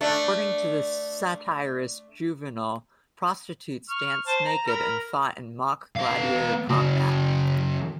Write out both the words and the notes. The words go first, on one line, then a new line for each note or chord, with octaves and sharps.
According to the satirist Juvenal, prostitutes danced naked and fought in mock gladiator combat.
A3 D4
C#6 F6
C5 A5
A#5
A#4 A#5 B5
B3 F5
C#3 F#4